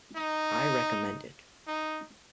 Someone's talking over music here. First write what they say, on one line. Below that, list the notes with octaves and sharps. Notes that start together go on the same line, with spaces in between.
I recommend it.
D#4
D#4